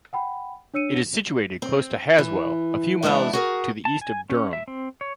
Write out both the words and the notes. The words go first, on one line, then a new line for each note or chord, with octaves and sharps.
It is situated close to Haswell, a few miles to the east of Durham.
F#5 G5 B5
D4 C#5 E6 C#7 D#7
C4
E3
E3 G#3 B3 D4 E4
F#4 G#4 A#4
A5
G#5
C#4
E5
C4
C#5